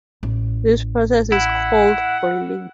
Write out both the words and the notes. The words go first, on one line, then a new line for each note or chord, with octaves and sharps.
This process is called boiling.
A1
E4 F#5